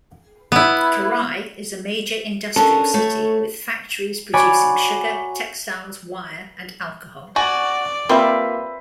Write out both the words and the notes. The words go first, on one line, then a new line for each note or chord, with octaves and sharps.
Karaj is a major industrial city, with factories producing sugar, textiles, wire, and alcohol.
B3 E4
C#4 D4 A4 A#4
A3 C#5
F#4 C#5 D5 G#5 B5
F#4 D5 G#5
G3 A#3 C4 F4 B4 E5 C6